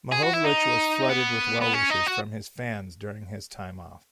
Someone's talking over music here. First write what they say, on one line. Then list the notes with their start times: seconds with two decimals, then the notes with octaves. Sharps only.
Mahovlich was flooded with well-wishes from fans during his time off.
0.12 G#4
0.23 F#4
0.34 E4
0.44 D#4
1.09 B3
1.62 B3
1.74 C#4
1.90 D#4
2.07 F#4